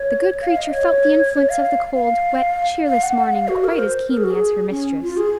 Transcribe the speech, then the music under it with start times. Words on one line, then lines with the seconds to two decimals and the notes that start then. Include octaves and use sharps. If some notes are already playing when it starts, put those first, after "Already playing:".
The good creature felt the influence of the cold, wet, cheerless morning quite as keenly as her mistress.
Already playing: C#5
0.42 F5
0.57 D#5
0.72 C#5
1.33 C#5
1.49 F5
1.94 F5
2.87 F5
3.03 F#5
3.18 F#5
3.33 F5
3.48 F#4
3.64 A#4
3.79 C5
4.09 A#4
4.17 G#4
4.24 F#4
4.30 G#4
4.70 C#4
5.02 F4
5.17 G#4